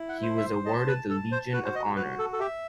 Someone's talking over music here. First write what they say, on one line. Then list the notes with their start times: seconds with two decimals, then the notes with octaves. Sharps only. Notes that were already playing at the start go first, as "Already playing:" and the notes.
He was awarded the Legion of Honor.
Already playing: E4
0.09 F#5
0.23 C5
0.37 E5
0.65 D#5 A5
0.87 B4
1.09 A4 A5
1.32 C5
1.53 F#4 B4
1.65 C5
1.75 D#5
1.96 F#4 B4
2.19 A4
2.33 A4
2.40 G4 E5